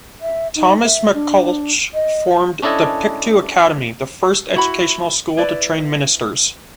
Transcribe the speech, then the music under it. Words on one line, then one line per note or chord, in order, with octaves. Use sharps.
Thomas McCulloch formed the Pictou Academy, the first educational school to train ministers.
E5
D#4
E5
D4
D#5
C#4 D4 E4 A4 D#5 G#5
E4 F#4 B5
E4 B4 D5